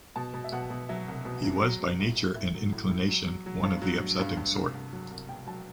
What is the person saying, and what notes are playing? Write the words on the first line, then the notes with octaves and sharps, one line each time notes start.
He was by nature and inclination one of the upsetting sort.
B2 A5
B2
E5
B2 F#5
B2
F#3 E5
C2
B2
F#3
F#3
F#3
A2
A2
A2 E5
F#3
A2
A2
F#3
F#3
F#3
G2
F#3
F#3
G2
G2
C2
C2
F#3
C2
B2 G5
F#3 A5